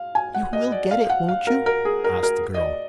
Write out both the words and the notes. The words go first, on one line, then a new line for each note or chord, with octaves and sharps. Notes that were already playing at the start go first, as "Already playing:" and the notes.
"You will get it, won't you?" asked the girl.
Already playing: F5
G#5
F#5
D#5
D5
F5
F#5
F5
A#4
A#4
G#4
A#4
A#4
D#5
D5